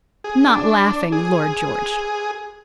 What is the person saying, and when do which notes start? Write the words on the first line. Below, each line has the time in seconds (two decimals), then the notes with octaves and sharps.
"Not laughing, Lord George."
0.24 G#4
0.47 D4
1.12 G#4